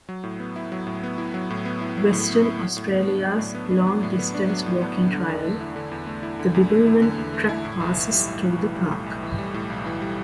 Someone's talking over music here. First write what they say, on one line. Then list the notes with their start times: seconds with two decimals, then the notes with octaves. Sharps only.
Western Australia's long-distance walking trail, the Bibbulmun Track passes through the park.
0.09 F#3
0.24 A2
0.40 B3
0.56 E4
0.72 F#3
0.87 A2
1.03 B3
1.18 E4
1.34 F#3
1.50 A2
1.65 B3
1.81 E4
1.98 F#3
2.13 A2
2.29 B3
2.45 E4
2.61 F#3
2.77 A2
2.92 B3
3.07 D4
3.23 F#3
3.39 A2
3.55 B3
3.71 D4
3.87 F#3
4.03 A2
4.19 B3
4.34 D4
4.49 F#3
4.66 A2
4.82 B3
4.98 D4
5.13 D3
5.28 E2
5.45 A3
5.61 E4
5.76 D3
5.91 E2
6.07 A3
6.23 E4
6.39 D3
6.54 E2
6.70 A3
6.86 E4
7.02 D3
7.18 E2
7.34 A3
7.49 E4
7.65 A2
7.80 B1
7.97 E3
8.13 G3
8.28 A2
8.44 B1
8.59 E3
8.75 G3
8.92 A2
9.06 B1
9.23 E3
9.39 G3
9.54 A2
9.70 B1
9.86 E3
10.02 G3